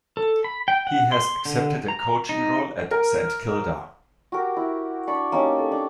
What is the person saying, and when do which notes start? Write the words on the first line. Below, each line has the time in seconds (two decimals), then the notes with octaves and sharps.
He has accepted a coaching role at Saint Kilda.
0.17 A4
0.44 B5
0.68 G5
0.87 F#5
1.12 C6
1.45 D3
1.88 A#5
2.29 D#4
2.91 A#4
4.32 F#4 G4 A#4
4.57 E4
5.07 D4 D5 B5 C#6
5.32 A#3 C#4 D#4 G4
5.58 A4
5.71 D4 D6